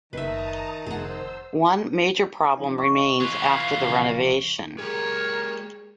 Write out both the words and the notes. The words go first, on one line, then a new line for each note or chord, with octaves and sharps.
One major problem remains after the renovation.
F#1 D#3 B4 E5 A5 A#5 D#6
F1 G#4 C5 F#5 E6
F3 C#4 D#4
D#5 C#6
E3 F4 F#6
F5
A#1 C#3 F3
G#3 G4 G#4 A#4 C#5